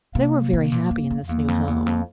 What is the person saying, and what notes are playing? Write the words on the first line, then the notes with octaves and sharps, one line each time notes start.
They were very happy in this new home.
C3 A#3
C3
A#2
F2
F2
E2 A#3
F2
E2 A#3
F2